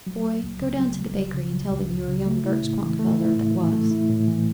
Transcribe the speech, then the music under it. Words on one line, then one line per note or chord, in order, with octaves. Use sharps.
Boy, go down to the bakery and tell them you are young Gert Schwankfelder that was.
F#3
C#2
C#2
C#3
F#3
C#2
C#2
C#3
F#3
C#2
C#2
C#3
A3
E4
A2
E3
A3
E4
A2
E3
A3
E4
A2
E3